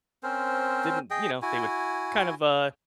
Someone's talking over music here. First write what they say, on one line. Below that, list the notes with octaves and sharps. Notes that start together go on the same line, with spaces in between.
didn't, you know, they would kind of, uh,
C4 C#4 A#4 C5
G#4 D#5 G5
E4 F#4 G#5